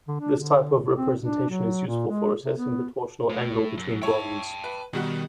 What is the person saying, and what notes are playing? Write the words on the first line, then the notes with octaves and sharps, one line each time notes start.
This type of representation is useful for assessing the torsional angle between bonds.
D3
D4
D3
C4
D4
F#3
A#2
G#3
C3
B3
A2
F#2
E4 C#5 G5 A5
B4
B2 D#3 G3 F#4